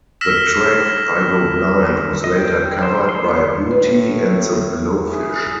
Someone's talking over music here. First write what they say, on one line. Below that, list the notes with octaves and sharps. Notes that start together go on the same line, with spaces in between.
The track "I Go Blind" was later covered by Hootie and the Blowfish.
E6 F6 A#6 B6 E7
D#5
G5
C5
C6
B3
A2 B4
E4 G#4